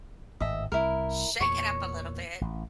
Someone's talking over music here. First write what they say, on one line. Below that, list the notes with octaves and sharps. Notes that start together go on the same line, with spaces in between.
shake it up a little bit.
G#1 A2 D#5 E5
C2 E4 A#4
E2 A#2 C#5 C#6
A1